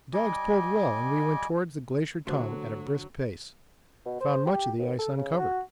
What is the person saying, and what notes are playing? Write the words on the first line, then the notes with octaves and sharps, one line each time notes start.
The dogs pulled well, and we went towards the Glacier Tongue at a brisk pace; found much of the ice uncovered.
G3 D#5 G#5 D6
D3 F#3 A3 F#4 C5 D6
B2
C5
G4
D#2
A4
C#3
F#4